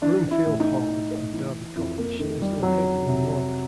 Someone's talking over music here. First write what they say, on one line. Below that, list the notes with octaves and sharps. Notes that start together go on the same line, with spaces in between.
Broomfield Hall of Derby College is located in Morley.
E3 D4
E4
A2
D#4
A2
E3
F2 E4
A#3
D#3 A3
G3
F2 F#3
C3